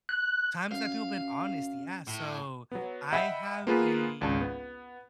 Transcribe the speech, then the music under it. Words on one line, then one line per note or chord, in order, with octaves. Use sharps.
times that people been honest, yeah. So, I have a
F#6
F#2 F5
A2
F#3 B3
D#5 E5 F#5 G5 B5 E6
A#3 B3 F4 G#4 A#4 B4
G#1 C#2 D4 A5
B3